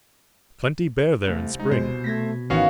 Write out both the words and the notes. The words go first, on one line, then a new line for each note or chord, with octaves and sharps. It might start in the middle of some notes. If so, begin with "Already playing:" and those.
"Plenty bear there in spring!"
C2 A3
G#3 D#4
B2 C5
A3 G#6 A#6 B6
G#1 D#3 E3 B3 C#4 F#4 F5 C#6